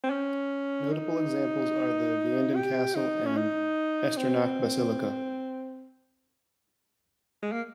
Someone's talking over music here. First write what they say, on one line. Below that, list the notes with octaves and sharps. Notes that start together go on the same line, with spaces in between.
Notable examples are the Vianden Castle and the Echternach Basilica.
C4
C#4
D#4
G4
D#4
C#4
D#4
C4
G#3
A#3